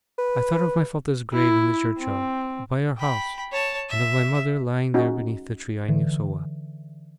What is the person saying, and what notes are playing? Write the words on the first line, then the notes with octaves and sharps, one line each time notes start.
I thought of my father's grave in the churchyard, by our house, and of my mother lying there beneath the tree I knew so well.
B4
E4
C4
G5 B5
C#5 A5
E5
C#4 D#4 F#4
D3 E3